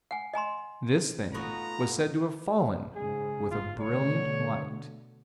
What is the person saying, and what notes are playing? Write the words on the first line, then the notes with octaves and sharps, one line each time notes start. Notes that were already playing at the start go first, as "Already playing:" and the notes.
This thing was said to have fallen with a brilliant light.
F#5 G#5
D#5 G#5 A#5 C6
A3 B3 D#4 F4 F#4 A#5
G#2 C#3 G#4
G1 G#2 F4
B2 D3 A3 C#5